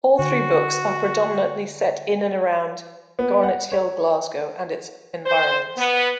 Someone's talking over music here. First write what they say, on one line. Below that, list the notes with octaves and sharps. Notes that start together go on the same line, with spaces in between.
All three books are predominantly set in and around Garnethill, Glasgow, and its environs.
D3 F#4
B3
F#5
C#5
C5
B3